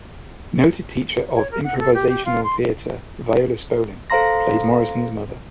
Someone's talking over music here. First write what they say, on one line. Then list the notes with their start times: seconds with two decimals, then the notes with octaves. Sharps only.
Noted teacher of improvisational theater Viola Spolin plays Morrison's mother.
1.35 C#5
1.51 A#4
1.64 F#5
1.79 A4
1.94 G4
2.08 G4
2.25 F4
2.43 C6
4.10 A4 C5 F5 A#5 C6 A#6